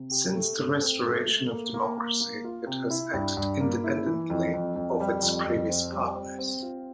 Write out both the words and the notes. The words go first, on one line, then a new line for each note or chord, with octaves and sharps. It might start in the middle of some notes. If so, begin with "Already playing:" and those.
Since the restoration of democracy it has acted independently of its previous partners.
Already playing: C3
G4
A3
A3
C4
A3
A3
A#3
A#3
A#3
A#3
F4
C3
E4
G2
G2
A#3
E4
E3
F2
F2
F2
G3
F2
F2
C4
G3
C4
C4
F4